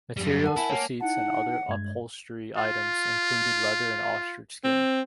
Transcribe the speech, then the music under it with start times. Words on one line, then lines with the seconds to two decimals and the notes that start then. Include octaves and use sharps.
Materials for seats and other upholstery items included leather and ostrich skin.
0.17 F#2 G3
0.44 A#4 F#5 A5
0.56 E4 G#5 A5
0.70 A#3 C#5
1.01 D#4 E4 F#5 A5
1.69 G2 G#3 G#6
2.57 F4
4.64 C4